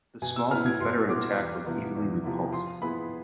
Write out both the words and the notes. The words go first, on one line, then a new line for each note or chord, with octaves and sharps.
The small Confederate attack was easily repulsed.
B2 G#5
E6
B3 E4 F6
G#6
B2 C6
B3 E4 D6
E2
C3 F3 B3 E4
E2
C3 F3 B3 E4
F3 C6
B3 E4 G#4 B5